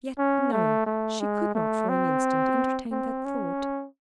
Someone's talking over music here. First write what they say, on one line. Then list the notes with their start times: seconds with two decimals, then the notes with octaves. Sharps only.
Yet, no; she could not for an instant entertain that thought.
0.18 C#4
0.52 A3
0.86 A3
1.20 G#3
1.55 A3
1.89 C4
2.91 C4
3.25 C#4